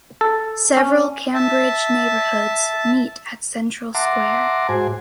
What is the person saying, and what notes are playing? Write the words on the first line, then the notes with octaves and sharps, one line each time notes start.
Several Cambridge neighborhoods meet at Central Square.
A4
C#4
E5 A5
E5 F#5 A5 A#5 C6 D6
G#2 F#4 C5 G#5